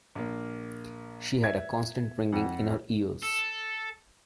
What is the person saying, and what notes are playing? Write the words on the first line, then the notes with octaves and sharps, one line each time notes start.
She had a constant ringing in her ears.
A#1 A#3
E5 G#6
F2 F#5
A4